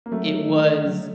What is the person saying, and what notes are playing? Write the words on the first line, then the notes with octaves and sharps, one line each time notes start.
It was
A#3
F#3 A3
D#3
F#3